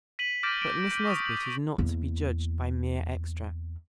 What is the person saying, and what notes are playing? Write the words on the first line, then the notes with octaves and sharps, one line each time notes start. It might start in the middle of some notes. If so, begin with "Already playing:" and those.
But Miss Nesbit is not to be judged by mere extracts.
B6 D#7 F#7
D6 F6 G6 A6 A#6 D7
D7
G6 D7
C#6 D#6
F#7
E2 A#3